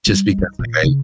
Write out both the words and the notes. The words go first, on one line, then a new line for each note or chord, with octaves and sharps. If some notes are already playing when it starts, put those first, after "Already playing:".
just because, like, I
G3
D#4
A#2
C#3